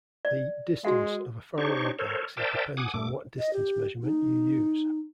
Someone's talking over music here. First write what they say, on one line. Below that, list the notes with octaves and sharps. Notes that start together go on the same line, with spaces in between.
The "distance" of a far away galaxy depends on what distance measurement you use.
D5
G#3 F#4 F#5
D4 D#4 G4 C5 C#5 C#6
A4 A#4 C5 C#5
A#4 C5 D5 E5 G5 A5
F#5 G#5 D6 D#6
G2 A3 D6
D#5
G4
D#4